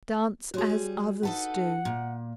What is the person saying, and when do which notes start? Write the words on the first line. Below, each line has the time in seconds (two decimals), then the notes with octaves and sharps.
Dance as others do.
0.54 G3 F#4 G#4 C#5 C6
1.23 D#4 A4 B4 F#5
1.85 A#2